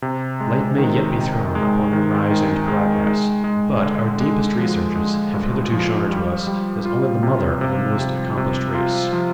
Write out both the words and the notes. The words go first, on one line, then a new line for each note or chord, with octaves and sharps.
Light may yet be thrown upon her rise and progress, but our deepest researches have hitherto shown her to us as only the mother of a most accomplished race.
C3
G#3
D#3
C3
G#3
D#3
D#3
G#3
G#3
G#3
D3
G#3
F3
G#3
G2
F3
G3
G3
F4
C3
C3
C3
C3
F4
F3